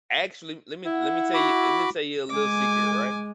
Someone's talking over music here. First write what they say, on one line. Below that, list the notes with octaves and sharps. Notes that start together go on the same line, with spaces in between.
Actually, let me let me tell you let me tell you a little secret, right,
E4 F#5
F#4 B5 D6
G#3 G#5 D6